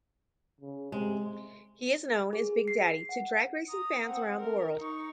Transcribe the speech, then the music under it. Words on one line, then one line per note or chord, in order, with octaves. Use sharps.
He is known as "Big Daddy" to drag racing fans around the world.
C#3
C3 G#3
G#4
C7
F#5
A#5 D#6
C4 F#5
A#4
D#4 C#6